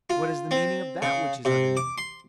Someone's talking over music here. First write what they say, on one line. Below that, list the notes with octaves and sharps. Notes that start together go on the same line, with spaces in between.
What is the meaning of that which is underneath?
F4
C4
C#3
C3
D6
C6